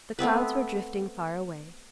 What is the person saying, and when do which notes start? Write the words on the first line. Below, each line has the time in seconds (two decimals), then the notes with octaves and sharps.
The clouds were drifting far away.
0.19 A3 B3 C4 B4